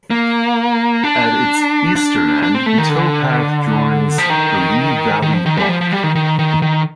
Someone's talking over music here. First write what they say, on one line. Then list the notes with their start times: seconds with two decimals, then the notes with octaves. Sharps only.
At its eastern end, the towpath joins the Lea Valley Walk.
0.10 A#3
1.03 D4
1.96 D4
2.43 D4
2.55 C4
2.66 A3
2.78 D#3
2.89 D3
4.18 F3
4.29 D#3
5.22 D#3
5.34 F3
5.46 D#3
5.57 G3
5.69 F3
5.81 F3
5.92 G3
6.03 D#3
6.15 D#3
6.39 D#3
6.62 D#3